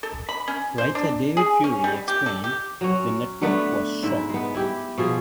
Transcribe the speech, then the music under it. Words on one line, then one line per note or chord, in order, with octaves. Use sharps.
Writer David Fury explained, The network was shocked.
A4
B5
C#4
C5
D4
G#4
C#4
G3
G4
A4
G4
F#3 C#4
D3 A3 B3 B4
G#2 E4 E5
G#3 B3
E4 G4
B2 F3 G#4